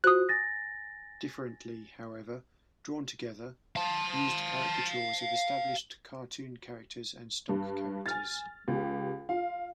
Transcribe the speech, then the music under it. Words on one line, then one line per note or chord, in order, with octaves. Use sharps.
Differently, however, "Drawn Together" used caricatures of established cartoon characters and stock characters.
F4 F#4 C5 D#6 F#6
G#5 A6 A#6
F5 A5
G2
G#5 F6 A6
C#2 G4
F4 F5